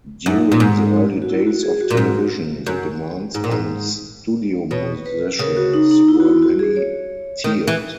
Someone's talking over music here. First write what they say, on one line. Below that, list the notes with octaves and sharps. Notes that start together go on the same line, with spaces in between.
During the early days of television, the demands on studio musicians were many-tiered.
F#2 D#4
A#2
G#2
F#4
E4
F#4
G#4
F#4
A#2
G#2
F#2
G#2
A#2
G#2
B2 C#5
B4
C#3 A#4
F#4
D#4
D#4
E4
F#4
E4
F#4
G#4
C#5
D#3
E3